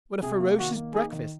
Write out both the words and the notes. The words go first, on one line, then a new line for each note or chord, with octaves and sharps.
What a ferocious breakfast!
C3 G#4
A#3
D#3 F#4
A#3
D#4 G#4
D#3